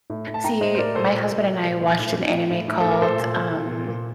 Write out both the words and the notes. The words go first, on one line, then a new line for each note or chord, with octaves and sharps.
See, my husband and I watched an anime called, um,
A2
A2
A5
A2 G5 A#5
A2 C5 D#5
C5
A2 A#4 D5
A#2 A4 C5
A#2
A#2
A#2
A#2
A#2
A2
A2
A2
A2
A2
A2 A4
A#4
A#2 A4 C5
A#2
A#2
A#2
A#2
A#2